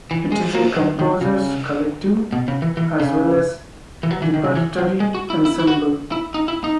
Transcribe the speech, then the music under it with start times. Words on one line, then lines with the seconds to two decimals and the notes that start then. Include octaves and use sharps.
It is a composers' collective as well as repertory ensemble.
0.11 E3
0.32 G#3
0.55 A#3
0.76 F#3
0.99 D#3
1.21 C#3
2.33 B2
2.48 C#3
2.62 E3
2.77 E3
3.00 C#3
4.03 E3
4.11 F#3
4.22 E3
4.34 D#3
4.44 C#3
4.55 E3
4.79 F#3
5.00 G#3
5.15 F#4
5.30 E4
5.45 E4
5.59 E4
5.67 F#4
6.12 E4
6.34 D#4
6.48 E4
6.64 D#4